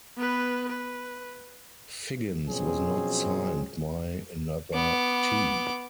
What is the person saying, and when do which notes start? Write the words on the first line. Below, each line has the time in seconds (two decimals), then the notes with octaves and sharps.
Figgins was not signed by another team.
0.17 B3 B4
0.69 B4
2.49 B2 F3 F#3 C4 C#4 G#4
4.73 B3 D6